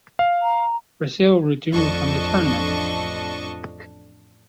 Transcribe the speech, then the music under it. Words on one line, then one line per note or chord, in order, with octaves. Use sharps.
Brazil withdrew from the tournament.
F5
A#5
A1 F2 D4 A4 D#5 C#6